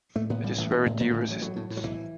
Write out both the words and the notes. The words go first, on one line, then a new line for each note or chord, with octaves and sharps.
It is very deer-resistant.
A2 A3
A2 B3
A1 G3
A1 E3
A1
A2
A2 F#3
A1 D3
E3
A2 F#3
A2 F#3
A2
A2
F#3
B1 E3